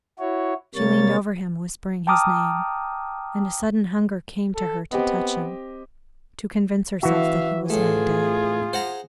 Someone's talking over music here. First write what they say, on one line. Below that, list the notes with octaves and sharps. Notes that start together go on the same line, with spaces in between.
She leaned over him whispering his name, and a sudden hunger came to her to touch him, to convince herself that he was not dead.
E4 F#4 C#5
C3 G3 A#3 C#5 A6
G5 A5 A#5 D6 D#6 F6
A4
B3 C4 G4 D#5
E3 F#4 E5 F5
A2 A3 F4 G#4
C5 F#5 A#5